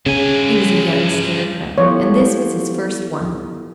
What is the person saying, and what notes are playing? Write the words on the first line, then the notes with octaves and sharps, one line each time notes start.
He was a young Scarecrow, and this was his first one.
G2 C#3 G#5
F3 B3 E4 F#4 G4 A4 C#5